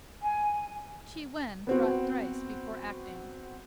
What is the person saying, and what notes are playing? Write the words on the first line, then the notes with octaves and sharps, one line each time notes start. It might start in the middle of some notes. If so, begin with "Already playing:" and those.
Chi Wen thought thrice before acting.
G#5
B3 C4 F#4